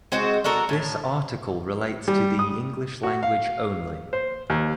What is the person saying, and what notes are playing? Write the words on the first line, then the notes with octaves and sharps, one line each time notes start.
This article relates to the English language only.
G#3 C4 F#4 C5
D4 F#4 A4 A#4
A2 A5
G3
D#6
F#4
F5
C5
D#2